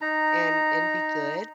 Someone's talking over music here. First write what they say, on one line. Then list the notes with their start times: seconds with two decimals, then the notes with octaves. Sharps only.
and and be good.
0.01 D#4 A#5